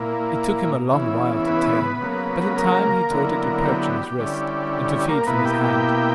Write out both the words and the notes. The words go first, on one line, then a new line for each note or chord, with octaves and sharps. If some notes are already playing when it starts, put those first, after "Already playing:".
It took him a long while to tame, but in time he taught it to perch on his wrist, and to feed from his hand.
Already playing: A#2 A#3 E4
C#3 E3 B3 E4
B3 B4
C#3 F#3 A#3
B4
A#3 A#4
D3 F#3 B3 E4
G4
D3 G3 C#4 E4
G4
G4
A#3 A#4
B2 A#3 B3 E4 B4
G4 G5
G4 G5